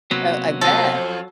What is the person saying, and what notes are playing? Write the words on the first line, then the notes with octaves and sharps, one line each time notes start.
Oh, I bet.
C3 F#3 A#3 B3
F2 F3 A4